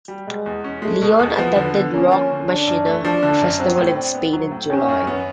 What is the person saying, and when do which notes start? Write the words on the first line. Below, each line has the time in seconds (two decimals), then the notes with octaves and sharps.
Lione attended Rock Machina Festival in Spain in July.
0.08 G3
0.27 B2 G#3
0.46 E2
0.64 C#4
0.82 G#3 A3
1.02 B2
1.19 E2
1.38 F3 B3
1.56 D3
1.75 D3
1.93 A#3 C#4
2.12 F3
2.30 D3
2.49 D3 D4
2.67 F#2
2.86 A3
3.04 F3 D4
3.23 D3
3.41 F#2
3.60 F#3 C4
3.78 A2
3.96 D4
4.14 B3
4.33 F#3
4.51 A2
4.70 D#3 C#4
4.89 F#2
5.07 B3